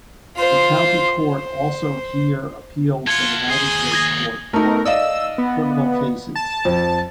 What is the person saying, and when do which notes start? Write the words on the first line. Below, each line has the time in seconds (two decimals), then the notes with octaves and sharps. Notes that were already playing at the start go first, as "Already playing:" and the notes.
The County Court also hear appeals from the Magistrates' Court regarding criminal cases.
0.37 F4 C5
1.26 C5
3.07 A3 F4 F#5 G#6
3.48 D#2 G#4 C5
3.92 D#6 G#6 A#6
4.53 A3 D#4 A#4
4.85 D5 D#5 F5 E6
5.38 B3
6.36 A5
6.65 F2